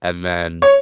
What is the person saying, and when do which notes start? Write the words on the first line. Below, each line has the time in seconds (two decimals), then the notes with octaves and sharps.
and then
0.62 C#5